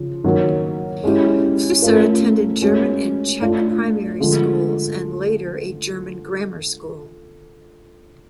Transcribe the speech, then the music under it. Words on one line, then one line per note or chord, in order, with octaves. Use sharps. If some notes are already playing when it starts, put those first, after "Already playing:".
Flusser attended German and Czech primary schools and later a German grammar school.
Already playing: C#3 F3
D#3 F#3 A#3
G#3 C#4 E4 G4
A3 C#4 F4 A#4
G#3 C#4 F#4
A3 D4 F4
D3 F3 G#3